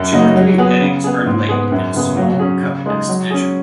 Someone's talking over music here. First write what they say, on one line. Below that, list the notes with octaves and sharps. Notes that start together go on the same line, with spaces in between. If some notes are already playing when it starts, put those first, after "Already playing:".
Two or three eggs are laid in a small cup nest in a tree.
Already playing: F#2
C#3 F#3 D#4 F#4
F#3
B3 G#4
C#3
B3 G#4
G#2
G#3 B3 G#4
F#2
C#3 B3 G#4
F#3
C#4 G#4
C#3
G#3 D#4 G#4
F#3
C#4 G#4